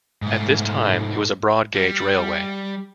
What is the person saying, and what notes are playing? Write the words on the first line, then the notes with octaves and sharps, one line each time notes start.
At this time it was a broad gauge railway.
G#2 A3
G3